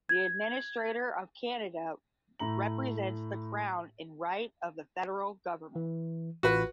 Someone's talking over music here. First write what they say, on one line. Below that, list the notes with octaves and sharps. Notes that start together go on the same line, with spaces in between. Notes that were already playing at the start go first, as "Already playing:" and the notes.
The administrator of Canada represents the Crown in right of the federal government.
G#6
A2 A3 A#5 F#7
E3
A1 F4 F#4 B4